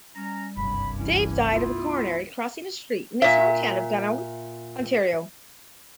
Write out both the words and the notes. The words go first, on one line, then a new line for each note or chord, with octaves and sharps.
Day died of a coronary crossing a street in his hometown of Gananoque, Ontario.
G3 C#4 A#5
F#1 C2 G2 B5
E3 C#4 E4
A3 B3 E4 F4
A#2 E5